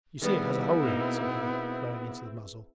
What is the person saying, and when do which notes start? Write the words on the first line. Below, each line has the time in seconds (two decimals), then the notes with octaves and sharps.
You see it has a hole in it,' said he, blowing into the muzzle.
0.22 D#3 G3 B3 C4 E4 G#4 B4
0.83 B2 A#3 D#4